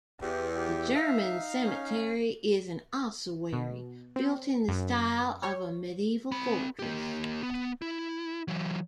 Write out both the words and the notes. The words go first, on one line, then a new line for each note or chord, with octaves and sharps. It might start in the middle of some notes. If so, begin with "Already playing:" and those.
The German cemetery is an ossuary, built in the style of a medieval fortress.
E2 G4
G4
D#4 E5 F5
C#4
B2
C4
F#2
C#5
C4 B5
A#3 G4
B3
E4
E3 F#3